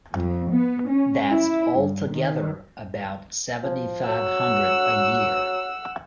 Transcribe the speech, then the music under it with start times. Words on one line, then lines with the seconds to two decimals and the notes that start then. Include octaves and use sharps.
That's altogether about seventy-five hundred a year.
0.15 F2
0.51 B3
0.88 C#4
1.30 E4
1.78 G2
2.11 D#3
3.63 F3
4.07 F#3 F#5 E6